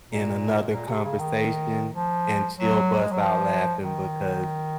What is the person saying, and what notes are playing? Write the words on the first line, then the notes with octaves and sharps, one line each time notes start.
in another conversation, and she'll bust out laughing because
A#2
A#2
C3
C#3
D#3
F3
F#3
G#3
F#3
F3
D#3